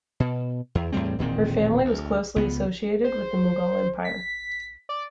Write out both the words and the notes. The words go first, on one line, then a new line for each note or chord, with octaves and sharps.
Her family was closely associated with the Mughal empire.
B2
E2
E2 A2 G3 C4
E1 A#2 D#3 C4
D2
C#2 B3
C5
B6
D5